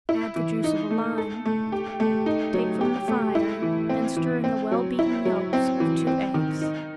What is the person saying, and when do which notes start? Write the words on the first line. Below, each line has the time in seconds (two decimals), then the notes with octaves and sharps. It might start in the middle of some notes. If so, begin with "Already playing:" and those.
Add the juice of a lime, take from the fire and stir in the well-beaten yolks of two eggs.
0.09 E4
0.36 E3
0.64 D#4
0.91 A3
1.18 A4
1.45 A3
1.72 G4
2.00 A3
2.26 D#4
2.54 F#3
2.81 G4
3.08 A3
3.35 E4
3.62 E3
3.89 C4
4.17 E3
4.44 C4
4.72 F#3
4.99 E4
5.25 F#3
5.53 C4
5.80 E3
6.07 C4
6.34 D#3
6.61 D#4